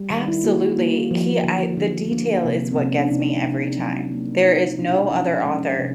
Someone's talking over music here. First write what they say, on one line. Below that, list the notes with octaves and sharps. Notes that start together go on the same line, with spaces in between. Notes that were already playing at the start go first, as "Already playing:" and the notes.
Absolutely. He I the detail is what gets me every time. There is no other author
Already playing: G3
D#3
E4
A#3 F#4
A#3
F3
D3
D3
A#3
C3
C4
C3
C#4
D4
C3 D#4
C3
F#3
A#3
E4
A#3 D#4
B2 D4
F3 C#4
G#3 C#4
C3